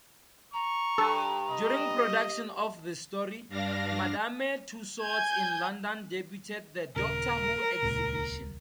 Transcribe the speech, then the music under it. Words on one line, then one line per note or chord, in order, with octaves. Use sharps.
During production of this story, Madame Tussauds in London debuted the "Doctor Who Exhibition".
A#5 C#6
G2 A4
D#5
G2 D4 F5 A#6
G#5 G6 G#6
D#1 C#3 A#4
D#1 C#2 A#2